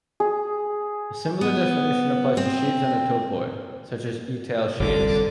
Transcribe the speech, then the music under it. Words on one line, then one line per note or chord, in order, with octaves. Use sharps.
A similar definition applies to sheaves on topoi, such as etale sheaves.
G#4
B3
C4
G1 C2 D3 D6